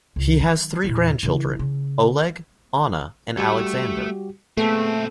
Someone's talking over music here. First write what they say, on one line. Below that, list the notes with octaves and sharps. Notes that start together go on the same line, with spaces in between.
He has three grandchildren, Oleg, Anna and Alexander.
C#2
D#3 F#3
E2 A#2
C#3 E3
C#3
G3 A3 F#4 G4
A#2 A3 B3 C4 G#4 A4